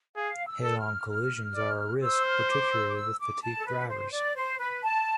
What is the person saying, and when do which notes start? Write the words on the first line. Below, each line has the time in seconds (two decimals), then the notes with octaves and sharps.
Head-on collisions are a risk, particularly with fatigued drivers.
0.16 G#4 F5
0.47 E6
0.63 A4
0.71 E6
0.78 F6
1.09 F6
1.56 D5
2.02 C5 E6
2.26 F6
2.49 D6
2.72 E6
2.89 D6
2.96 E6
3.20 D6
3.42 A5
3.57 A4
3.66 B4
3.88 C5
4.12 D5
4.36 C5
4.59 B4
4.83 A5